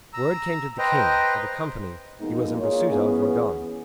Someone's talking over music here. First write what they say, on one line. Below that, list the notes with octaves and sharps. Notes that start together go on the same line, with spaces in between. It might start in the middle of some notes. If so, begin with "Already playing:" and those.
Word came to the king that the company he was in pursuit of were gone.
A#5 E6
B4 C5 D#5 G5 A#5
F2 B2 G#3 A#3 B3 D#4
A#3 D#4 F4 G#4 A#4 C#5
E3 B3 C#4 G#4